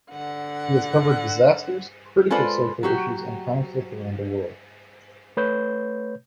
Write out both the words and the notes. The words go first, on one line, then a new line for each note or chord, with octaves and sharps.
He has covered disasters, critical social issues and conflict around the world.
D3 F#5
G#3 F4 A4 B4 C5 D5
F#3 F#4 G4
A3 B4 C#5 G6